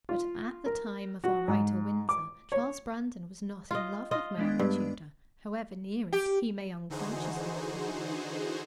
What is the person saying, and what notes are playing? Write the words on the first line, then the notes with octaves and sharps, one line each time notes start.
But at the time of our ride to Windsor, Charles Brandon was not in love with Mary Tudor, however near it he may unconsciously have been.
F4
A#4
F#4
G#2
D6
C#5
F4 D#5
F4 D#5
G#3 B3 D4
G2
G4
D3 E3 D#4 F#4 G#4 C5